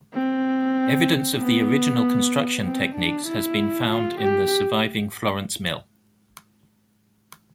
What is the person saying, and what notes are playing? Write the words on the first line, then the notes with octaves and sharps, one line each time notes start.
Evidence of the original construction techniques has been found in the surviving Florence Mill.
C4
B3
C4
D4
E4
F4
G4